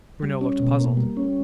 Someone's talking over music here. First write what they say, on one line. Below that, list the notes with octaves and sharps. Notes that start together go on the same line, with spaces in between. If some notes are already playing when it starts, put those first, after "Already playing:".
Bruno looked puzzled.
G3
C#4
B2
A#3
G3
C#4